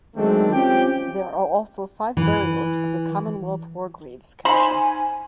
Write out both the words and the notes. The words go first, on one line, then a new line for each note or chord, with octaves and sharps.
There are also five burials of the Commonwealth War Graves Commission.
D#3 F#3 G#3 A3 C4 D4
C4 C#4 F4 G4 G5
E3
D#4 C5 G#5 B5